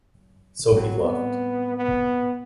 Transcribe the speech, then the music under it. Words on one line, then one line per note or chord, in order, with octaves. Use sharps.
So he left.
A2 F#3 G3 C4
B3
B3